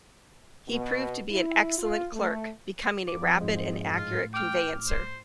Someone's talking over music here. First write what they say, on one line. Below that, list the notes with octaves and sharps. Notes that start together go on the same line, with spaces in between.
He proved to be an excellent clerk, becoming a "rapid and accurate conveyancer".
B2
E4
F4
A3
F2 F3 D6
G#2 G#3
A2 F4
G5 D6 F6
C5